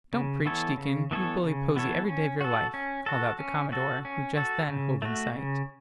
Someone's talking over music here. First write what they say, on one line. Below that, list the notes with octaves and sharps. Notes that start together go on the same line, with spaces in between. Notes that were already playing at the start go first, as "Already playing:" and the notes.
"Don't preach, Deacon, you bully Posy every day of your life," called out the Commodore, who just then hove in sight.
C#3
E3 B3 A4 C#5
C#3
E3 B3 A4 C#5
C#3
E3 B3 A4 C#5
C#4
F#4 A4
C#4
F#4 A4
C#4
F#4 A4
C#4
F#4 A4
C#3
A3 F#4
C#3